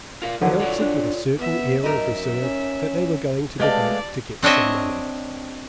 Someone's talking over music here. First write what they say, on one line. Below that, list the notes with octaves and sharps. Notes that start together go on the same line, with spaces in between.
They answered with a certain air of reserve that they were going to the bank to get some money.
F4 A#4 F5
D3 F3 F#3
F4 C#5 D5
D4
B3 E5
F#2 D#4 A#4 E5
C#4
G#3 A3 G4 B4 D5 D#5 F5 A5
C4 D4 C#5 D#5 E5